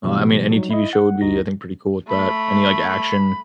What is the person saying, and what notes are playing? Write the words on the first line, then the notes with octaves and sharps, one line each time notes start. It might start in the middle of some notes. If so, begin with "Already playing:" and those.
Uh, I mean, any TV show would be, I think, pretty cool with that. Any like action,
B2 E3 F#3 A3 B3 G4
F#3 G3 D#4
E4 D#5
F#5
D2 D#4 F#4 A#6
A3 B5